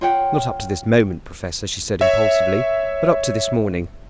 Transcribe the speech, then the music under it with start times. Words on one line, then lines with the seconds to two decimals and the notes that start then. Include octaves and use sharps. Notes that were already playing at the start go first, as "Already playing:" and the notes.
"Not up to this moment, Professor," she said impulsively, "but up to this morning."
0.01 F4 C#5 F#5 G5
2.01 C#5 E5